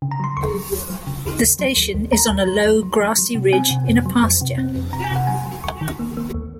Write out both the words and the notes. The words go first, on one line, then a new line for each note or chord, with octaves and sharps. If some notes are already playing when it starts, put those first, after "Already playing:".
The station is on a low grassy ridge in a pasture.
C#3
A#5
F#3 C6
D#2 C#6
F#3
D#2
F#3
C#3
D#2
D#2
F#3
D#2
D#2
D#2 A#5
D#2
F#3
D#2
F#3
F#3
F#3
C3
C4 G#5
C3
F2
F#3
F2
C3
C4
F2
C3 A#5
G#5
C3 F#5
F#3 G#5
F#3
D#2 C#6
D#3
A#3
A#3
D#2